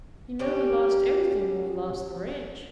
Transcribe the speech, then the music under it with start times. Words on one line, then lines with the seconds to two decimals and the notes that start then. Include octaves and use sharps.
You know we lost everything when we lost the ranch.
0.39 G3 C#4 G4